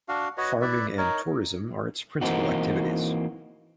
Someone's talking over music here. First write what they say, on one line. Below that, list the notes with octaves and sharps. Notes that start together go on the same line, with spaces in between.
Farming and tourism are its principal activities.
D4 F#4 F5
F#4 B4 C#5 D#5
E4 B4 D5 E5
D#4 A#4 C#5
E3 A#3 C4 D#4 F#4